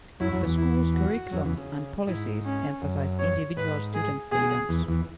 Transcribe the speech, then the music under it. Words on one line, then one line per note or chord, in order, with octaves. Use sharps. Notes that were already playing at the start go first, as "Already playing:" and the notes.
The school's curriculum and policies emphasize individual student freedoms.
F#2 F#3 E4
F#2 F#3
E2 E3
E4
F#4
F#2 F#3
E2 E3
C#3
G#2 E4
C#4
F#2
C#5
G#2 B4
G#4
B2 G#4
E2 E3
E2 E3